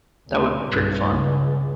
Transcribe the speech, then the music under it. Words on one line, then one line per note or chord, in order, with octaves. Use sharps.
That would be pretty fun.
D2
B1 G2
C#2